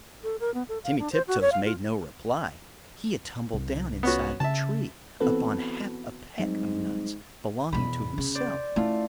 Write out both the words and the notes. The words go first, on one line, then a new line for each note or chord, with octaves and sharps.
Timmy Tiptoes made no reply; he had tumbled down inside the tree, upon half a peck of nuts belonging to himself.
A4
A#4
B3
A4
F5
D4
C5
F#4
C#5
F5
F4
C2
B3 C#4 F#4
C#3 E5 A5
E3 B3 C4 F#4 A4 B4
G#2 F#3 G3 C4
E2 B2 B5
C#3
C5 D5
A3 C#4 E4 F4